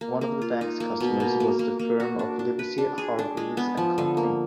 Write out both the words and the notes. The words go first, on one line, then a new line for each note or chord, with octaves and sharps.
One of the bank's customers was the firm of Livesey, Hargreaves and Company.
A#3
A#3
F4
D#4
A#3
B2
A#3
A#3
A#3
A#3
F#4
D4
D4
B4
D4
G#4
D4
G#3
B3
F3
D3
A#3